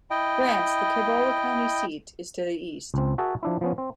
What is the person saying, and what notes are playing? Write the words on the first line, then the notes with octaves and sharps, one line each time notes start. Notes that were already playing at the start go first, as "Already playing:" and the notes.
Grants, the Cibola County seat, is to the east.
E4 D#5 G5
C#2 C4
F#4 G#4 A#4 E5 A5
F3 D4 E4
F3 B3 C#4
C4